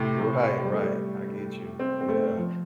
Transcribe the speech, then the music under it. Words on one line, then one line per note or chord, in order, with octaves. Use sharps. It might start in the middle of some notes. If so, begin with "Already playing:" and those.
Right, right, I get you, yeah,
Already playing: A2 C3
C3
G3
A3
G3
C4
C4
A3
F3